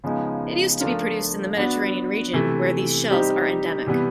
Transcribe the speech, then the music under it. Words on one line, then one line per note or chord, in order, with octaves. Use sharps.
It used to be produced in the Mediterranean region where these shells are endemic.
C#3 F3 G#3 B3 D#4
F3 A3 D4 F4 A#4
B3 D4 F#4
C3 E3 A3
G3 C4 D#4 G4
C3 E3 G3 B3